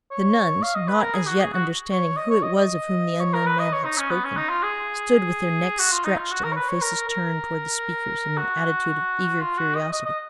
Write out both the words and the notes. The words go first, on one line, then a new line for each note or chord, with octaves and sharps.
The nuns, not as yet understanding who it was of whom the unknown man had spoken, stood with their necks stretched and their faces turned towards the speakers, in an attitude of eager curiosity.
C#5
F5
D#5
B4
A#4
G#4
F#4
G#4
F#4
C#5
D#5
C#5
D#5
D#5
C#5
A#4
B4
D#5
C#5
D#4
C#4
B3
C#4
D#4
F4
G#4
F#4
F4
D#4
F4
F#4
A#4
C#5
B4
C#5
A#4
A#4
F#4
F4
F#4
D#5
D#5
D#5